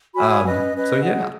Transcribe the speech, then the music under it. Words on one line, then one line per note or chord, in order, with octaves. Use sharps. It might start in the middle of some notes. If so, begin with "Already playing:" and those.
Um so yeah,
F#4 C#5 G#5 B5
C#4 B4 D#5
C#4 B4 D#5
G#4 D#5 F#5